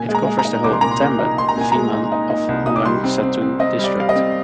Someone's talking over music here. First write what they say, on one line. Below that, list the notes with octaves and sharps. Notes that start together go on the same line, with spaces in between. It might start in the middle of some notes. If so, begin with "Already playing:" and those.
It covers the whole "tambon" Phiman of Mueang Satun district.
Already playing: A#2 G#5
G#3
A#5
G#3
A#5
D#4
C2 D6
C6
A#2 A#5
C6
A#2
D#4
D#4 C6
A#5
A#2 G#5
G#3 A#5
D#4
D#4
D#4
C2
D#4 D#6
D6
G3 C6
C4
C4
C4
C4 D#5
G3
D5
G3 F5
D#5
C4